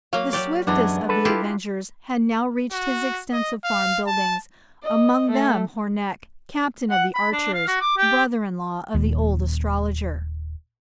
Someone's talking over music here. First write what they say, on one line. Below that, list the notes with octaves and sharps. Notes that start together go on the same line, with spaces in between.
The swiftest of the avengers had now reached his extensive farm-buildings, among them Hornecht, captain of the archers, brother-in-law of the old astrologer.
F#3 A#3 F5
F#3 G4 D5
F#2 E3 G#3 B3 D4
A4 B4
E4 F4 G4
F#4
D#5
F5
A5
D#5
A3
F#5
B5
D4
F5
F#4
D6
G4
D#1 D#2